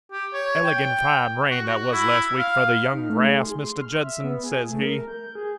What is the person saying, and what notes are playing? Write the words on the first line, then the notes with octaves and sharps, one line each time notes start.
Elegant fine rain that was last week for the young grass, Mr. Judson?' says he.
G4
C#5
G5
F#4
F#4
E4
F5
D#4
A3
G#4
C6
F6
E5
B3
G#4
A3
A#4
G6
G#4